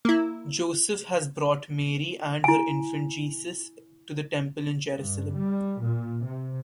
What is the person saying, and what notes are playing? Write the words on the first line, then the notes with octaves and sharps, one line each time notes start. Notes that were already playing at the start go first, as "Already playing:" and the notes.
Joseph has brought Mary and her infant Jesus to the temple in Jerusalem.
A#3 E4
E4 G#5
G2
G3
A#2
C3